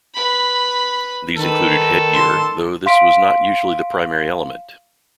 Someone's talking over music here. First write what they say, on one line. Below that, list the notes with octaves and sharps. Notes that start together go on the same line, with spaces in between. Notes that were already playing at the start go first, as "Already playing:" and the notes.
These included headgear, though this was not usually the primary element.
B4 B5
D#3 A4 B4
C6
F5 C6 B6 D7